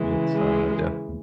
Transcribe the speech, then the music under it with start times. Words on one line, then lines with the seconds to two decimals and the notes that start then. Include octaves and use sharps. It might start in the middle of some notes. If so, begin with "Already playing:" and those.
it's, uh, definite
Already playing: C#3 E3 G#3
0.33 G#3 G#4